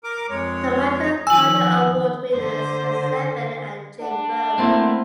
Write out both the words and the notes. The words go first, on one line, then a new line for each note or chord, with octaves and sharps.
The Michael Carter Award winners were Sam Bennett and Jin Bo.
A#4 D6
F2 G#3 C#5
D#3 F3 G#5 E6 F#7
D3 C5
D4 F#5
A3 A#3 C4 E4 C5 F#5